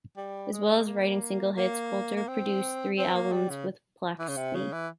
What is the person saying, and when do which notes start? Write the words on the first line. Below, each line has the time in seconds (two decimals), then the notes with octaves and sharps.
As well as writing hit singles, Coulter produced three albums with Planxty.
0.17 G3
0.53 G#3
0.87 A#3
1.57 A#3
2.16 A#3
2.28 C4
2.98 C4
3.15 A#3
3.32 G3
3.50 C#3
4.19 E3
4.28 C#3
4.37 C3
4.55 C#3
4.72 E3